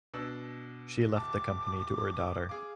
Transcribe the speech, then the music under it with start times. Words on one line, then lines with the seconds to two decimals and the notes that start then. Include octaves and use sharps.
She left the company to her daughter.
0.14 B2 D4 E6
1.16 D1 A5 D6
2.49 G#4 F5 D6